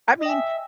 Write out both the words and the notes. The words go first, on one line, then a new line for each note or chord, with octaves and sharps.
I mean,
D#5
G5
E5 G#5